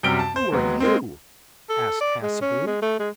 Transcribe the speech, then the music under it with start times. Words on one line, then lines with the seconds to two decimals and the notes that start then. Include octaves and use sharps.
'Who are you?' asked Hassebu.
0.03 F#2 C3 G3 D7 G7
0.19 A5
0.36 C5
0.52 D#2 F#3 G#3 B3
0.80 G#3 A#3 C4
1.70 A4
2.01 D5
2.22 G#3
2.42 C#4
2.67 G#3
2.82 A3
3.00 G#3